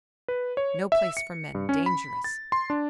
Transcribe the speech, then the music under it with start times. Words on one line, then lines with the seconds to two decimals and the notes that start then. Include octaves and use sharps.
No place for men--dangerous.
0.28 B4
0.57 C#5
0.92 E5
1.17 C#7
1.55 G2
1.69 C#4
1.86 B5
2.24 A6
2.52 C6
2.70 D4